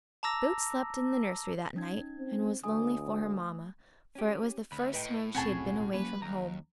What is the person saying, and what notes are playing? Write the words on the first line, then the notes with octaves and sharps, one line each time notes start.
Boots slept in the nursery that night and was lonely for her Mamma, for it was the first time she had been away from home.
A5 A#5 D6 E6 A#6
C#4 D#4 G#6
C4
D2 A3 G#5 D#6
C#4 G4
D2 B5
A2 B4 D#5 G5
D#1 B1 C4 C#4 F#4 G#4 A5 B5
C#2 F#3 A#3 C#4 B4
D#2 A#5